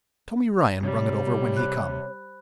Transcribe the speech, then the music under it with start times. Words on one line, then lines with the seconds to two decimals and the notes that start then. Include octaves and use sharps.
Tommy Ryan brung it over when he come.
0.83 C3 G3 C#5
1.56 C5 B5 F#6